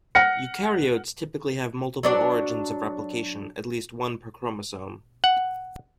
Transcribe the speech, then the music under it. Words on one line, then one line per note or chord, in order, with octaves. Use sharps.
Eukaryotes typically have multiple origins of replication; at least one per chromosome.
F#5 F6 A#6 C#7
F#3 D4 D5
F#5